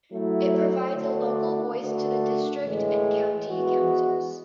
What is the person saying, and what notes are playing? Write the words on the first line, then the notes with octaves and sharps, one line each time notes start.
It provides a local voice to the district and county councils.
F#3 A3 E4
D3 A3 D4 F#4
D3 A3 D4 F#4
A2 E3 G#3
E3 G#3 B3 F#4